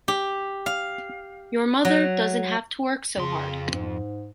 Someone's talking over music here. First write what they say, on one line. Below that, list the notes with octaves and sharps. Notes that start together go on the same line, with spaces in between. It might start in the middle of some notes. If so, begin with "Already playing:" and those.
Your mother doesn’t have to work so hard.
G4
F5
F#3
F2 C#3 C6
G#2